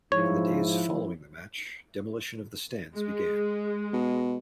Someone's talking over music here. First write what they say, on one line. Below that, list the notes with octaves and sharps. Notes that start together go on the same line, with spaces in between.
In the days following the match, demolition of the stands began.
G#2 F3 E4 C#5
G#3
B2